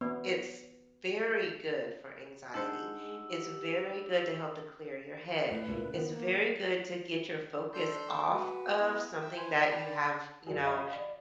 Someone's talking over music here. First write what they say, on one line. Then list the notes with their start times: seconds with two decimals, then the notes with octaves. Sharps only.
it's very good for anxiety. It's very good to help to clear your head. It's very good to get your focus off of something that you have, you know,
0.01 B3
2.54 G#3 D4 D#4 C5 F#5 A5 E6
3.22 G4
5.51 A2 B4
5.69 C#2 A#2 E4
5.94 D#3 B3
6.11 A#3
7.73 D4 A4 C6 E6 G6
8.32 F#4 B4
8.78 B3 E4 D#5
9.21 E5 G5 E6
9.37 B4 C5 G#5
9.58 D5 G5 A5 B5
10.47 F#2 D3 D4 F#4 G#4
10.67 D#5 F5 F#5 B5
10.94 D5